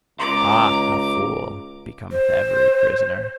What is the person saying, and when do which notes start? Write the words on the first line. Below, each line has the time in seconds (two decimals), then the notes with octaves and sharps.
Ah, a fool becometh every prisoner!
0.20 C#2 A#5 D6
2.12 C5